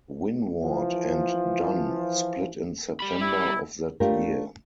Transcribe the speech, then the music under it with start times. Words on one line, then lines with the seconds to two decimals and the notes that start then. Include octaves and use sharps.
Winward and Dunn split in September of that year.
0.63 E3 F3
3.00 G3 B5
3.21 E4
4.00 A3 D4 F4 G4 A#4